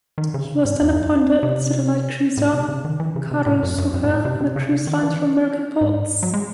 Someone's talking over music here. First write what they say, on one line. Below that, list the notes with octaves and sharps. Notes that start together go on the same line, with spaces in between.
He was then appointed to the light cruiser Karlsruhe on a cruise line through American ports.
D#3
C#3
G#2
E2
F#2
C3
A2
C3
C#3
D#3
E3
C#3
C3
A2
F#2
F#2
F#2
A2
A2
C3
C3
C#3
D#3
E3
G#2
F#3
G#3